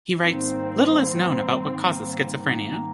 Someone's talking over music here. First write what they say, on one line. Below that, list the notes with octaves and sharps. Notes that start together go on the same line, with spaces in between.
He writes, Little is known about what causes schizophrenia.
G#2 D#3 G3 A#3 C4 D#4
G#2 D#3 G3 A#3 D#4
G#2 D#3 G3 A#3 D#4
G#2 D#3 G3 A#3 D#4